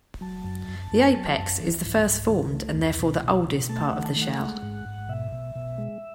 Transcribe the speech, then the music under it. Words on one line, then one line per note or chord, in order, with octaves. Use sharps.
The apex is the first-formed, and therefore the oldest, part of the shell.
F#3 A5
F#2
F#2
F#2
F#3
F#2
E3
G#2
G#2
D#3
A3
E2
B2
B2
B2
A3 A5
F#5
D#3
A5
A3
F#5
G#3
G#2
G#2
B2 E5
B2
B2
G#3